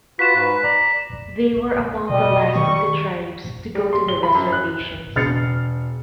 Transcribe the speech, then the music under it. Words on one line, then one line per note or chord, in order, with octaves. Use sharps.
They were among the last of the tribes to go to the reservations.
F4 F#4 B4 B6 E7
G#2 B4
D5 A#5
B2 G3 D#5
D#3 G3 C#6
G3
C6
G7
B5
F#2
F#6
E1 F6 A6 C7 C#7